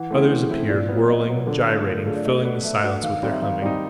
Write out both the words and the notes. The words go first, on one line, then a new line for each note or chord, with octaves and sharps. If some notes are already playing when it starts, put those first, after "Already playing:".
Others appeared, whirling, gyrating, filling the silence with their humming.
Already playing: E3 F#5
A3 C4 E4
E3
A3 C4 E4
A#2 D5
F#3 B3
A#2 D#5
F#3 B3
D3 A4
F#3 A3 D4 F4
D3 A#4
A4
F#3 A3 D4 F4 G#4
D5
A3 D#5
D4 F#4 B4
A3 E5
D4 F#4 B4
D#3 F5
G3 C4 D#4
E5
D#3 F5
G3 C4 D#4